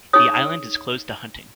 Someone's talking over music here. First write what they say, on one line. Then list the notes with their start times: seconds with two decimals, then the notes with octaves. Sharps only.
The island is closed to hunting.
0.13 D#4 G#4 C#5 D#6